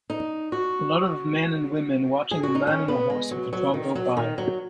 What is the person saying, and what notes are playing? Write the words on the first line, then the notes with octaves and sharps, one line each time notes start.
A lot of men and women watching a man on a horse with a drum go by.
D#4
F#4
G#4
F#4
D#4
C#4
B3
G#3
F#3
F#3
D#3
F#3
D#3
F#3